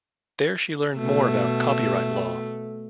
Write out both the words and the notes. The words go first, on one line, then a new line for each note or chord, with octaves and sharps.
There she learned more about copyright law.
B2 A3